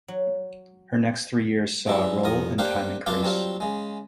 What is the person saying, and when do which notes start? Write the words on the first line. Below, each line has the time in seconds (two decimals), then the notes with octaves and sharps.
Her next three years saw her role and time increase.
0.08 F#3
1.87 G2 C#3 F#3 D4 E4
2.24 C2 F2 A#4 D#6
2.58 A#3 D4 G4 C5 F5 F#5
3.06 C#2 F#2 D4 F4 D5 F5
3.23 F#3 G3 C4 D4 F4
3.60 C#3 G#3